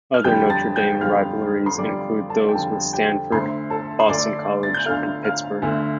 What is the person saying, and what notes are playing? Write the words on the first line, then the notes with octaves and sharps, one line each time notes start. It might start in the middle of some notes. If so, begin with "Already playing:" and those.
Other Notre Dame rivalries include those with Stanford, Boston College, and Pittsburgh.
F6
F2 D3 G3 G5 G6
A5 A6
G5 G6
F2 D3 G3 F5 F6
C6
F2 D3 G3 D5 D6
A4 A5
G5
F2 D3 G3 A4 A5
G4 G5
D2 D3 A3 C5 C6
A4 A5
C6
D2 D3 A3 D5 D6
A6
G6
D2 D3 A3 F5 F6
F5 F6
D2 D3 A3